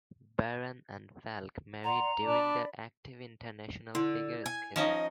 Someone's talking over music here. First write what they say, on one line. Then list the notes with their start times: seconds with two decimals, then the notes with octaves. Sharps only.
Baran and Falk married during their active international figure skating.
1.84 D5 F#5 A#5 C6
2.24 D4 D5 B5
3.95 D3 E4
4.46 G#5
4.76 F3 C#4 D#4 D#5